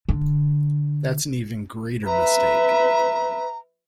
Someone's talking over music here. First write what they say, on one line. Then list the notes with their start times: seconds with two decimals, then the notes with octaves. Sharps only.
That’s an even greater mistake.
0.09 D3
2.06 B4 E5 A#5